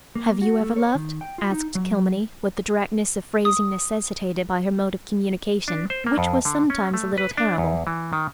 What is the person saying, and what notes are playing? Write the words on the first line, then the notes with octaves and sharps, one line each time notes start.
"Have you ever loved?" asked Kilmeny, with the directness of phrasing necessitated by her mode of communication which was sometimes a little terrible.
A#3
F#4
A3
C#5
D#3
G5
F4
D#4
F#3
D#6
D4
C5
A#3
F2
D3
C#4
A3
B4
D4
E2
E3
D#3